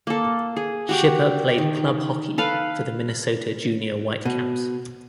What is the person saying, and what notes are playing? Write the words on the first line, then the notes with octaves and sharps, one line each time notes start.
Schipper played club hockey for the Minnesota Junior Whitecaps.
A#3 A4
G#4
F#4 G4 G5
D#3
A4 B4 F5
B2